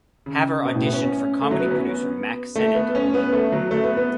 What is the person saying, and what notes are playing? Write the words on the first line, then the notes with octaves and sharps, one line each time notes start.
Haver auditioned for comedy producer Mack Sennett on a whim.
C#3
B2
A2
B3
C#4
C#4
A3
F#3
B3
C#4
B3
A3
B3
C#4
B3
A3
F#3
A3
B3
B3